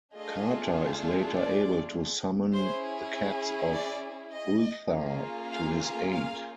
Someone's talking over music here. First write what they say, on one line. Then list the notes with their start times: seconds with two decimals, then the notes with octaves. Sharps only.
Carter is later able to summon the cats of Ulthar to his aid.
0.14 A3 D4 F4 G#4 D#5
1.34 D5
2.53 C#4 E4 G#4 C5
3.73 D5
4.33 D#5
4.91 A#3 C#4 F4 G#4
5.51 F5
5.81 F5
6.12 F5